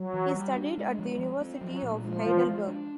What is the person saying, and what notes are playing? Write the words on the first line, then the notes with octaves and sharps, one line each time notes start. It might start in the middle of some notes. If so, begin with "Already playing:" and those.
He studied at the University of Heidelberg.
Already playing: F#3
E3
G3
D4
G#3
F3
F3
C4
F3 F#3
A#2
F3 G#3
E3
G#3
D4